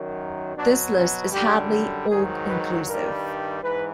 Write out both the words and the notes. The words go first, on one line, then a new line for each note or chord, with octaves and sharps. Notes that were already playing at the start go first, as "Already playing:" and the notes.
This list is hardly all inclusive.
Already playing: F#2 D#3 F#3
B2 F#3 D4
C#4
F#2 D3 G3 G4
G#2 D#3 F#3 G#4
B4
G2 D#3 G3 A#4
G#2 E3 B4